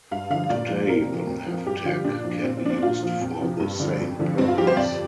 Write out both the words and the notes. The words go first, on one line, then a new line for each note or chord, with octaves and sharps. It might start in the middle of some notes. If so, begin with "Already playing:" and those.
Today the nav tag can be used for the same purpose.
G2 F5
D3 F3 F5
A#2 D5
F3
F2 A#4
C3 F3
F2
F3
G2 G4
D3 F3 F4
A#2 D4
F3
A#2 C4
C4
F3 D4
C4
A#2 F4
F3
F2
C3 F3
G2
D3 F3
F2
D3 F3
G2 C4
F4
F3 G4
C5
F2 D5